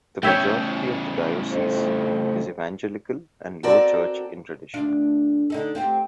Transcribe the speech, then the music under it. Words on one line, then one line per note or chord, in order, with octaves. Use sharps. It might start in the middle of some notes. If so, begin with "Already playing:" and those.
The majority of the diocese is evangelical and low church in tradition.
A2 C#3 C#5 E5 G5
F2
C4 F#4 A4 A#4 D5
D2 D4 F4
D3 D#4 A4
C4 F4 G4